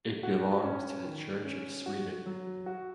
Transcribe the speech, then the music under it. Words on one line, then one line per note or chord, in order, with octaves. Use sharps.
It belongs to the Church of Sweden.
F#4
C#4
D#3
C#4
F#4
F#3
F#4